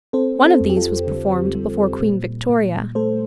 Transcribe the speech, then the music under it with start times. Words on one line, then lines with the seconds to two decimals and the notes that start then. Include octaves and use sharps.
One of these was performed before Queen Victoria.
0.13 C4 A4 C5
0.45 A4 C5
0.61 F2
0.70 G4
0.77 F4 A4
1.07 D3
1.55 G3
2.01 A#2
2.49 A#2
2.95 A3 A4 C5